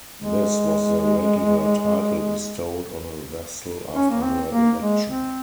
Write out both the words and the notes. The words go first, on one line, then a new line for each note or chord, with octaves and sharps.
This was the regular title bestowed on a Vestal after her election.
G#3
C#4
A#3
C4
A#3
G#3
C4